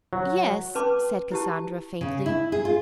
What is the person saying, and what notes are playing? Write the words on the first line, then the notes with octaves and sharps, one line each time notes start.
"Yes," said Cassandra, faintly.
F#3
C#4 B4 A5 C6 D6
E4 G4 A5
C#3
E4
G#4
F4